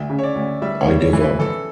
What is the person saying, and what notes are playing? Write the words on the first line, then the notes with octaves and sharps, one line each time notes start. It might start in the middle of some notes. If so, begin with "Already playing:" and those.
I give up.
Already playing: D2 E5
C#3
C#5
D5
D2
G3 E5
C#5
G3
C#5
E3
B4
E3 A4